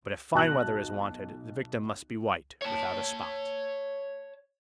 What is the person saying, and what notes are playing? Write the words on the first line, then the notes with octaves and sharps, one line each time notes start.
But if fine weather is wanted, the victim must be white, without a spot.
B1 A5 F#6 A#6 F#7
C#5 A5